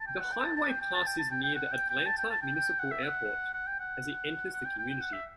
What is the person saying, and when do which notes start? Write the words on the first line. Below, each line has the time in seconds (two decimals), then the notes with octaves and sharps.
The highway passes near the Atlanta Municipal Airport as it enters the community.
0.01 A5
0.07 G5
0.21 F#5
0.33 G5
0.45 A5
0.57 A5
0.70 G5
0.81 G5
0.95 A5
1.07 G5
1.19 A5
1.31 G5
1.44 G5
1.56 F#5
1.72 G5
1.90 G5
2.06 A5
2.18 G5
2.31 A5
2.43 G5
2.56 G5
2.80 F#5
2.91 E5
3.03 F#5
3.54 F#5
3.67 G5
3.81 F#5
4.53 F#5
4.66 G5
4.79 G5
4.90 G5
5.01 F#5
5.13 E5